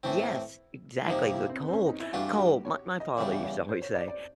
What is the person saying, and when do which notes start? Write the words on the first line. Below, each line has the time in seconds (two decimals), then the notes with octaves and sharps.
Yes, exactly, the cold cold my my father used to always say,
0.03 A2 E3 A3 C4 E4
1.08 F2 C3 F3 A#3 D#4
1.34 E4
1.49 C4
1.61 B3
1.68 C4
1.73 C#4
1.86 D#4
2.00 E4
2.13 G2 E3 A3 D4 F4 F#4
2.35 F#4
2.39 G4
2.65 C#5
3.00 D#5
3.17 E2 C#3 E3 G3
3.44 C#5
3.69 C5
3.82 C#5
3.95 D5
4.08 D5